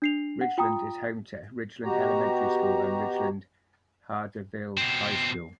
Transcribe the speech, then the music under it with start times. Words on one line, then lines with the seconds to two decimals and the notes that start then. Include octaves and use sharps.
Ridgeland is home to Ridgeland Elementary School and Ridgeland-Hardeeville High School.
0.02 D4 C7 F7
0.41 F#5
0.58 F4 G5 A#5 D#6
1.84 B2 F#4 G4 A#5
4.77 B2 C4